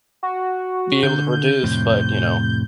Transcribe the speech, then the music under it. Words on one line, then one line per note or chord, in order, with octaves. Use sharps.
be able to produce, but, you know,
F#4
D3 G6
F2 A2 C3